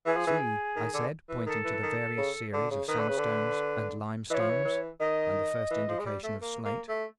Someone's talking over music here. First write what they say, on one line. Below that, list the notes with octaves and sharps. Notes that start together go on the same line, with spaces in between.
"See," I said, pointing to the varied series of sandstones and limestones, and the first indication of slate.
E3 G#4
F3
E3
D#3
D3
E3
D#3 A4
E3
D#3
C#3
D3
C#3
D#3 B4
D3
C#3
D3
E3 C#5 D#5
F3
E3
E3
D#3 D#5
E3
F3
G#3
G3
A3
A#3
A#3
A3